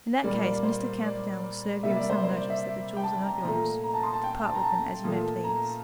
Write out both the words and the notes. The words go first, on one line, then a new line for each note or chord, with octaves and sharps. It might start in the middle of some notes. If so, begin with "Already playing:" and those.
"In that case Mr. Camperdown will serve you with some notice that the jewels are not yours,--to part with them as you may please."
A#2 G3 A#3 D5
D5
C5
D5
C3 G3 A#3 E5
D5
C5
C5
D5
E5
G5
A5
A#5
A#2 F3 A3 A#5
A#5
A5
C6
A5
G5
A5
A#5
A5
A#2 F3 A3
A#5